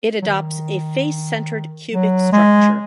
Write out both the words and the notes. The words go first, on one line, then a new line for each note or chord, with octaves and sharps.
It adopts a face-centered cubic structure.
F#3
D#3
F#3
G#3